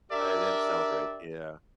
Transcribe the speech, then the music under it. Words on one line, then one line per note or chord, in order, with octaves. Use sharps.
I didn't celebrate, yeah.
D4 G4 A#4 D5 E5